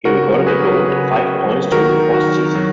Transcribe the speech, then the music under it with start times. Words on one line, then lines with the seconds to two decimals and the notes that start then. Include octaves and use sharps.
He recorded a goal and five points during the postseason.
0.05 C#3 F#4 A#4
0.33 F#3
0.47 G#4 B4
0.61 F#3
0.88 C#3
1.17 C#3
1.44 F#3
1.71 D#3 F#4 A#4
2.00 D#3
2.14 F#4
2.27 F#3
2.55 F#3